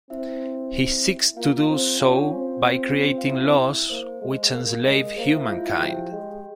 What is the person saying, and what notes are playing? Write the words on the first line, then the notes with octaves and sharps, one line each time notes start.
He seeks to do so by creating laws which enslave humankind.
C4 E4 E5
A#3 F4 F5
C4
C#4 F4 F5
C4
F5
E4 E5
A#3 C5
G#3
A#3 A#4
G#3
A#3 C5
E4 E5
G#3 F4 F5
E4 E5
F3 G4 G5
G#3